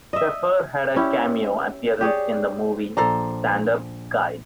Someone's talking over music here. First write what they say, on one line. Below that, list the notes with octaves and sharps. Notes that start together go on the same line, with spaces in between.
Sheffer had a cameo appearance in the movie "Stand Up Guys".
D#5 E5
C#4 E4 G4
G4 G#4 C#5 D5
A#1 A4 C5 D5 A#5